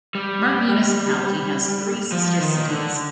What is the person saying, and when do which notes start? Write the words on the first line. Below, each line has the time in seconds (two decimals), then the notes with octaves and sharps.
Mark Municipality has three sister cities.
0.15 G3
2.12 F3
2.41 D#3
2.68 D3